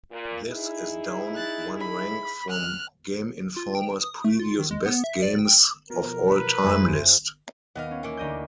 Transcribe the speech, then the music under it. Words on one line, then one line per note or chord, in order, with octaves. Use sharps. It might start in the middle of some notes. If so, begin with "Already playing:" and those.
This is down one rank from "Game Informer"s previous best games of all-time list.
A#2
D#4 E4 G#4
F#6 A6
B5
F6 F#6
F4
G5
D#6
A3
F4
D#3
G#3
B3
E5
D5
G5
B2 F3 A#4
B4
F#2 E4 G#4 C5
D#2 B3 D#5 F5
C#4
E3 A#3
D2 D#5 G6